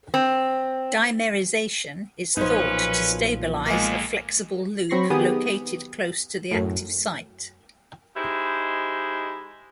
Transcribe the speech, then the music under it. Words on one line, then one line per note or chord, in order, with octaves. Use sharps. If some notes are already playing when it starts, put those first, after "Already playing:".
Dimerization is thought to stabilize a "flexible loop" located close to the active site.
C4
B1 A#2 F3 C#4 D#4 B4 C5
F2 G#3 A#3
F#3 C4 B5 C#6 A#6 C7
D#3 B3 G4 G#4 D#6
F#2 A2
G#3 D#4 E4 G4 C5